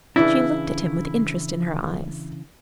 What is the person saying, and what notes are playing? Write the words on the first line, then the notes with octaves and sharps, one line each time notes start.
She looked at him with interest in her eyes.
C#3 E3 D4 E4